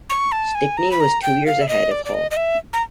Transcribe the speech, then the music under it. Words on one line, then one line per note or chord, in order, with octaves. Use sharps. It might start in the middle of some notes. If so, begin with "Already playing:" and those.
Stickney was two years ahead of Hall.
C#6
A5
G#5
A#5
B5
A#5
G5
F5
E5
D#5
D5
D5
D#5
D#5
E5
A#5